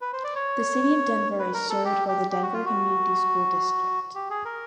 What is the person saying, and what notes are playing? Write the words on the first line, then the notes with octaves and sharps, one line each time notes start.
The city of Denver is served by the Denver Community School District.
B4
C5
D5
C#5
B4
A#4
A4
G4
G4
G4
F#4
F4
F#4
G4
G#4
A#4